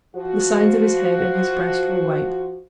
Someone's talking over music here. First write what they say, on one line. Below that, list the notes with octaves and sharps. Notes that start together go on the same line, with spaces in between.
The sides of his head and his breast were white.
F3 F#4